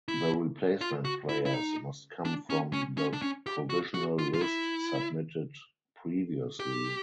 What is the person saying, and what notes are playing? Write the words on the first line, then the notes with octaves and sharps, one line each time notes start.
The replacement players must come from the provisional list submitted previously.
E4
F4
F#4
E4
E4
D#4
D4
C#4
C#4
C#4
D4
C#4
G4
F#4
F#4
F4
F4
E4
G4